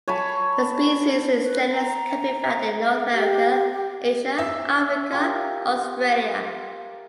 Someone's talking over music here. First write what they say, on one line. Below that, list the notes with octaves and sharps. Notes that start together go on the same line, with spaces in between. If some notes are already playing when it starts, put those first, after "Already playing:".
The species in this genus can be found in North America, Asia, Africa, Australia.
C#5 G#5 A5 B5
B4
A#5
E5
G4
E5 E6
F4 G4 A#4